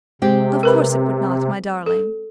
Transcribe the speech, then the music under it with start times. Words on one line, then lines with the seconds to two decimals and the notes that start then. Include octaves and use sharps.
"Of course it would not, my darling."
0.22 C3 G#3 C4 G4
0.63 A#4 B4 B5
1.86 A4